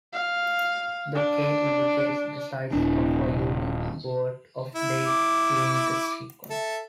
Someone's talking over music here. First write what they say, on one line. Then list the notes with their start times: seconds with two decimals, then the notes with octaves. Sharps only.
The "k" indicates the size of a unique word of data in the sequence.
0.13 F5
1.15 D4
2.73 D#1 D4
4.75 E4
5.06 D6
6.50 A4 E5